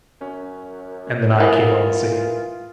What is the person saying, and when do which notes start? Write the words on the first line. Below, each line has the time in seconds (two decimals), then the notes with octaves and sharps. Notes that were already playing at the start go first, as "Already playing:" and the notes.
And then I came on the scene.
0.21 F#2 C#4
1.40 E3 F4 A#4 F#5 G#5 D#6